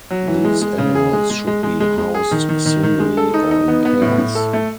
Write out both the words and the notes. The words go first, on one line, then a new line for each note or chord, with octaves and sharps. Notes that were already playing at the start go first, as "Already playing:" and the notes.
These animals should be housed singly or in pairs.
F#3
E3
G#3
G#3
C#3
G#4
G#3
G#3
G#3
G#3
G#3
G#3
G#4
D#3
D#3
D#3
D#3
G#3
A4
D#4
D#4
B3
B3
A2
A2
A4
A3